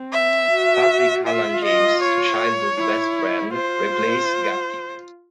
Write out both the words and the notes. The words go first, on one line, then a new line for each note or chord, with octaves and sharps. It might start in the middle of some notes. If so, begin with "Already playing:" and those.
Patrick Hallahan, James' childhood best friend, replaced Guetig.
Already playing: C4
E5
F#4
F4 E5
D#5
C#5
E4
F4 C5